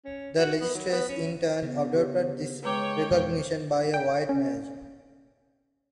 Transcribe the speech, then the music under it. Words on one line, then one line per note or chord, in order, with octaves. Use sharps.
The legislature in turn adopted this recommendation by a wide margin.
C#4
F#4
B3
F#3
B3
C#4
C#3 B3
G4 C#5
G#3 B4 C#5 G5 A#5 D6
F2 B2 E3
G5
C#4